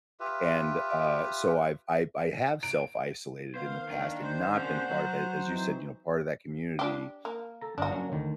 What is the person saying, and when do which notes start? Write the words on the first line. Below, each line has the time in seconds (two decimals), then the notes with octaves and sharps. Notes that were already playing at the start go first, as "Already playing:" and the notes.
and, uh, so, I've I I have self-isolated in the past and not been part of it as you said, you know, part of that community,
0.20 F4 G4 B4 E5
2.63 D7
3.55 D#3 B3 C5 F5
3.89 D#3 A#3 D4
4.21 C5
4.55 C3 C#4 F#5
4.90 F#3
5.49 E3 C4 D#4
6.79 D4 G4
7.25 A#3
7.61 A4 A#5
7.78 G1 D4 F#4 D#5 A#5
7.91 F#3 A#3 C#4
8.12 D2 D#3